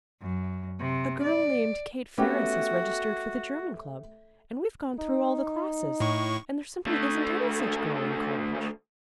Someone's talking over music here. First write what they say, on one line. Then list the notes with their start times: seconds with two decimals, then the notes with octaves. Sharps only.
"A girl named Kate Ferris has registered for the German Club, and we've gone through all the classes, and there simply isn't any such girl in college."
0.22 F#2
0.80 C3
1.23 D5
2.18 A3 B3 C#4 F#4 G4
4.99 D#4
6.00 A2 C#6
6.87 D3 A3